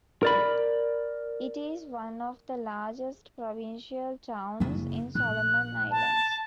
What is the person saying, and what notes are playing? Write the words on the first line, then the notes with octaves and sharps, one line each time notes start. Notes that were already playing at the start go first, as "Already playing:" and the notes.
It is one of the largest provincial towns in Solomon Islands.
A#4 D5 B5
F#1 C#3
A#1 F#6
A5